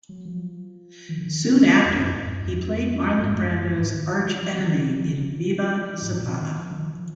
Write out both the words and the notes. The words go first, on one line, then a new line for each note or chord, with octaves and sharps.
Soon after, he played Marlon Brando's archenemy in Viva Zapata!
F#3
F3
D#3
D3
D#3
D3
F2
F#2
F2
G#2
F#2
F2
F#2
G#2
F#2
G#2
D#3
F3
F#3
F3
D3
D#3
F3
G#2
A#2
B2
D3
D#3
F3
D3
D#3
F3